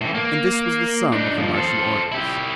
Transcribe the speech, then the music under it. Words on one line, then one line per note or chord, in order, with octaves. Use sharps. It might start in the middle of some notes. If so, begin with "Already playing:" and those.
And this was the sum of the Martian organs.
A2 E3
A#3
D4 D#4
D#2 F3
A4 C5
E4 G4